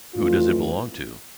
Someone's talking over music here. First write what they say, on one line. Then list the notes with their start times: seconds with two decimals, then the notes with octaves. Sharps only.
Who does it belong to?
0.14 F2 E3 A3 D4 F4